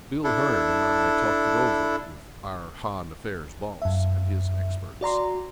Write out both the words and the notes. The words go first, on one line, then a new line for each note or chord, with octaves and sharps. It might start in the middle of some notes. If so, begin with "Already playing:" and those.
Bill Hearn and I talked it over with our Han-affairs Boss and his experts.
D4 E4 A4
F#2 E5
F#4 D5 A#5 C6